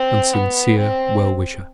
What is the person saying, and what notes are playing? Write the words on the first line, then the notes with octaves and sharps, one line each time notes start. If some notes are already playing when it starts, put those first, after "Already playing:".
And sincere well-wisher.
Already playing: C4
B3
C4